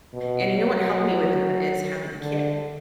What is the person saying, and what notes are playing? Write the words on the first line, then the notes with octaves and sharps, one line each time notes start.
and you know what helped me with that is having a kid.
B2
F#3
D3